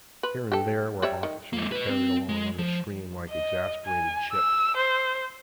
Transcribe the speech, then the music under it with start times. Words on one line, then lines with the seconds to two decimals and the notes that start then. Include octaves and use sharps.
Here and there were officers carried along on the stream like exasperated chips.
0.23 B4
0.52 G4 A4
1.02 G3 C#5 E5
1.23 D#3
1.53 G#3 A#3
1.72 B4 D#5
1.89 C4
2.29 G#3
2.59 F3
3.29 D#5
3.86 G#5
4.32 E6
4.76 C5